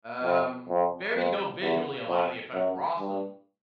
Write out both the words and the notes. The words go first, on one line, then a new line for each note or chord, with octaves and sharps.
Um, very dope visually, a lot of the effects were awesome,
F2
F2
F2
E2
F2
F#2
G2